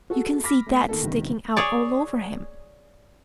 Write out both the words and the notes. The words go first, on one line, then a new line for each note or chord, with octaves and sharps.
You can see THAT sticking out all over him.
F#4 G#4 A4
B5 D6 F6 A#6 B6
A3
D#3 A#3 A4
E1 C#2 G2 C3 D#3
G#4 C#5 D5